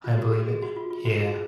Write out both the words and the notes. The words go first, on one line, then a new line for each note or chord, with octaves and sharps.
I believe it. Yeah.
F4
F#4
G#4
F#4
G#4
F#4
F4
F4
F#4
G#4